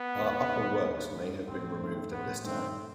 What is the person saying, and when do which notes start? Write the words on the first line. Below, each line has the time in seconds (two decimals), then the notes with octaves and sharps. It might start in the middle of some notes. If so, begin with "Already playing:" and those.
Her upper works may have been removed at this time.
Already playing: B3
0.21 D#2
0.52 D#3 G3
0.85 D#2
1.16 D#3 G3
1.47 A1 C4
1.80 G2 D#3 A3
2.11 A1 B3
2.44 G2 D#3 A3 C4